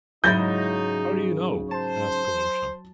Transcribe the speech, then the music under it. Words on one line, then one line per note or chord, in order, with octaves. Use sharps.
"How do you know?" asked Alyosha.
G#2 C#3 F#3 D#4 E4 G6 A6 A#6
C5 A5